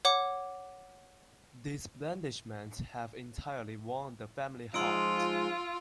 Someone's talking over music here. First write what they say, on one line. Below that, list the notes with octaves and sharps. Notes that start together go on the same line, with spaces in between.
These blandishments have entirely won the family heart.
C#5 F#5 D6
F3 G#3 D#4 F4 C6 E6 D7